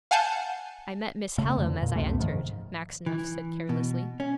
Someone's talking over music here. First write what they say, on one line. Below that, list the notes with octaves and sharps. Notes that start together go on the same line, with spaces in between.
'I met Miss Hallam as I entered,' Maxineff said carelessly.
F5 F#5 G#5 A5 G6
C#3 A3
F2 D3
A#2
C#2 F#2 C3 A3
G#2 D#3 F3
E3
B2
C#4